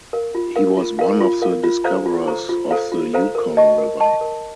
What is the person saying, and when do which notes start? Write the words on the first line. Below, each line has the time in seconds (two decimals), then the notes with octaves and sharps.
He was one of the discoverers of the Yukon River.
0.13 A#4 F5
0.35 F4
0.56 A#4 F5
0.77 F4
0.99 A#4 F5
1.21 F4
1.42 A#4 F5
1.64 F4
1.84 A4 C5 F5 A#5
2.06 F4
2.28 A4 C5 F5 A#5
2.49 F4
2.71 A4 C5 F5 A#5
2.92 F4
3.14 A4 C5 F5 A#5
3.35 A#4
3.57 D#5 A5 C#6
3.78 A#4
4.00 D#5 A5 C#6
4.21 A#4